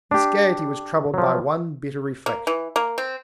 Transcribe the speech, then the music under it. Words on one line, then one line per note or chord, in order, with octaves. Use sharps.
This gayety was troubled by one bitter reflection.
D4 G4
F3 F#3
A#3
E3
A#3
C4